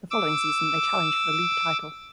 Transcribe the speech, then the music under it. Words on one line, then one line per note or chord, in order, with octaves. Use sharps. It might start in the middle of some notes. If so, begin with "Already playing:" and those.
The following season they challenged for the league title.
D6 E6